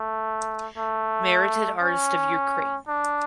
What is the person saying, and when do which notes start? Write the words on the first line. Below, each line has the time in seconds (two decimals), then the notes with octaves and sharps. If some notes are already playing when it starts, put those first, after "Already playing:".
Merited artist of Ukraine.
Already playing: A3
0.78 A3
1.82 C#4
2.88 D4